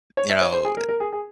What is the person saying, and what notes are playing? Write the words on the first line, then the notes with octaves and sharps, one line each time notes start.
you know,
C#5
E5
C#5
C5
G#4
A#4
A#4
G#4
G#4